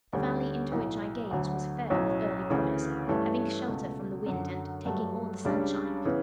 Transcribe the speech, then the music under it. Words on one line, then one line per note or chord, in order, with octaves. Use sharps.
The valley into which I gazed was fair with early promise, having shelter from the wind and taking all the sunshine.
D2 D3 G3 C#4
B1 A2 F#3
D2 D3 F#3
B1 A2 F#3 C#4
D2 C#3 E3
G2 E3 A3 C#4
C#2 B2 A3
F#2 D3 F#3
G2 F#3 A3
C#2 C#3 G3 D4
C#3 E3 B3